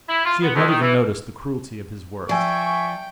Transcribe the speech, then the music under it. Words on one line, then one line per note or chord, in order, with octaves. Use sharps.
She had not even noticed the cruelty of his words.
E4
F4
B3
F2
D#3
E3
F3 D5 E5 G5 G#5 C#6